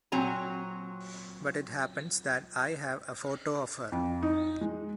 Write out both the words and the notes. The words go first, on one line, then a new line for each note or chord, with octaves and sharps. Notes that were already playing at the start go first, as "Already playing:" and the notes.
But it happens that I have a photo of her.
A#2 F#3 C4 G#5 A#5
F2
D#4
G#3